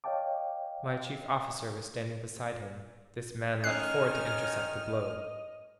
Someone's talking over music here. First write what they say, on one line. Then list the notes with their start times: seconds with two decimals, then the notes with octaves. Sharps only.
My chief officer was standing beside him. This man leaped forward to intercept the blow.
0.04 C#5 D#5 F5 G5 A5 D6
3.64 D#3 C#4 D#5 F6 F#6 C7